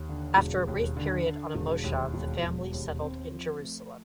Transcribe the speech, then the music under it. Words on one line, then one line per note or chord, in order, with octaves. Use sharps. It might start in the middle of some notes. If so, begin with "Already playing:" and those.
After a brief period on a "moshav", the family settled in Jerusalem.
Already playing: D#2
D3
E1
D#2
D3
D3
E1
D#2
E1
E1
D#2
C4
F3
A3